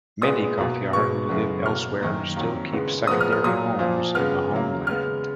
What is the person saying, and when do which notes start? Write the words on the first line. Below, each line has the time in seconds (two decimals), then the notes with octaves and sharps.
Many Kofyar who live elsewhere still keep secondary homes in the homeland.
0.22 A#2 G#3 B3 D#6
0.58 B2 A#3
0.93 B2 G#3 B3 C#6
1.29 F#2 C#3 G#3 B3
1.65 B2 A#3 F6
2.01 F#2 D#3 A#3
2.37 F2 D#3 F#3 A#3
2.73 C#3 G#3 B3
3.07 G#2 F3 G#3 B3 D#6
3.21 F6
3.32 F6
3.44 A#2 F#3 A#3 D#6
3.79 A#2 F3 A#3
4.15 C#3 G#3 B3 F6
4.51 C#3 F#3 A#3
4.87 C#3 G#3 B3 F6